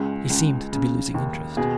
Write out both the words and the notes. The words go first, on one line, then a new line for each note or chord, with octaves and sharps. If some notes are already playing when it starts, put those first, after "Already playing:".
He seemed to be losing interest.
Already playing: C#2 G#3
C#2
C#3
D#2
B2 G#4